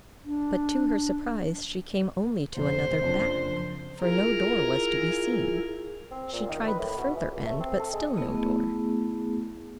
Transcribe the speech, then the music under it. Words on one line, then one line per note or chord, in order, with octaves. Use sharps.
But, to her surprise, she came only to another back, for no door was to be seen. She tried the farther end, but still no door.
D4
F1 C5
F#1 F2 D4
E4 F4 G#4 A#4
C4
A#2
D#3
B4
A2
B2
E3
C#2
A3
C4
A4
G#3
A3 B3 E4 G#4